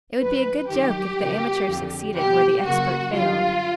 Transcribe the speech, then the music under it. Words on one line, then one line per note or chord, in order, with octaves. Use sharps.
It would be a good joke if the amateur succeeded where the expert failed.
F#2 D#3 F#3 B4
G2 D#3 F#3 G4
F#2 C#3 F3 A#3
F2 D3 F3
B2 G3 B3 G4
F#2 C#3 F#3 A#3 F#4
F#2 D3 G3 F4